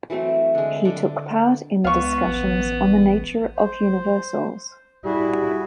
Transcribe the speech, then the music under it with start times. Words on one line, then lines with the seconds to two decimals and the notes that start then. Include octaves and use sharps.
He took part in the discussions on the nature of Universals.
0.10 E3 F#3 A3 C4
0.55 D3 G#3
0.85 D3 D6
1.84 C#2 B3 F5 C#6
2.27 A1
3.56 C5
5.05 G3 E4 F#4 G#4